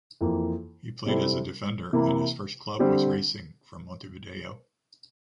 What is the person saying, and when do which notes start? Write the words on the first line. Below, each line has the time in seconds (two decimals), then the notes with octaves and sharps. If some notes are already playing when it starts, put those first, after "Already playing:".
He played as a defender and his first club was Racing from Montevideo.
0.21 F2 E3 A#3 F4
1.06 C3 G3 C4 E4 A4
1.93 C3 E3 A#3 E4
2.79 D3 G3 C4 G4